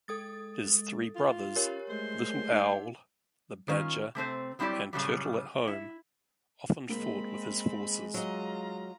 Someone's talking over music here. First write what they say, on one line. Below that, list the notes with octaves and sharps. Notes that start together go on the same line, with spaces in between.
His three brothers, Little Owl, the Badger, and Turtle-at-Home, often fought with his forces.
G#3 A4 D#6 A6
F4
C#4 G4 A#4 C#5
G#3 A3 C5
D#4 F#5
D#3 C#4 F4
C3 A3 C4 C5
F#3 G3 C4 E4 G4 D5
A2 C#3 F#3 G3
E4
G#3 A#3 C4 B5
F#3 F4 D#5 A#5